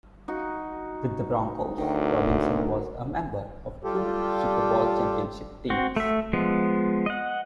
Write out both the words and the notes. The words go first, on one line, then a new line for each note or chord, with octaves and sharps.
With the Broncos, Robinson was a member of two Super Bowl championship teams.
D#4 F#4
D2 D#3 F#3
G3 F4 G4 A4
C4 F#4
A3 E5
F3 G#3 B3
D#5 F#5